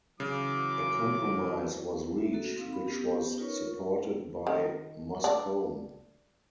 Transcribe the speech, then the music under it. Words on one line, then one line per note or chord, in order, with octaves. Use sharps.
A compromise was reached which was supported by Moscone.
C#3 E3 F#3 D6
E5
A#3 F#4 A4
C4 D#4 F5
B5
B3 C#4 G4
D#4 F4 A#4 B4 C#5 C#6
D#3
D4